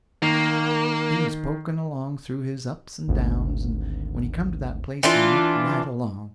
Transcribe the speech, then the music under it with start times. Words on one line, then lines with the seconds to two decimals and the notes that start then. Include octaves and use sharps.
He was poking along through his ups and downs, and when he come to that place he went right along.
0.22 D#3 A#3 C7
3.08 G#1 D2
5.03 E3 D4 F4